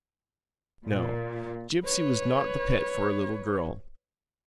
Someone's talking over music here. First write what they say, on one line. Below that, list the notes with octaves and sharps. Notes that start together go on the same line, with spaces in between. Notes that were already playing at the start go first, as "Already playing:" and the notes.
No; Gipsy was not the pet for a little girl.
A#2
B4 C#5